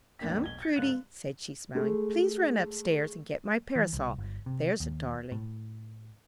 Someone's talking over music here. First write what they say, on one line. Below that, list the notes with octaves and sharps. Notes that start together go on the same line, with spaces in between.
"Come, Prudy," said she, smiling, "please run up stairs and get my parasol--there's a darling."
E2 A2 A#3 D4 G5 B6
B1 G#6 G7
G#6 A6 C#7
G#2 D3 F5 F#6
G#3 A3
E3
C2
G1
C3
D#2
A2